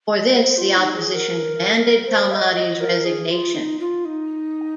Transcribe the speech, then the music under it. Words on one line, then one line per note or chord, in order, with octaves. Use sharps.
For this, the opposition demanded Kalmadi's resignation.
D#5
C5
F4
D#4
G#4
A#4
C5
F5
D#5
D#5
A#4
G#4
F4
D#4
F4
D#4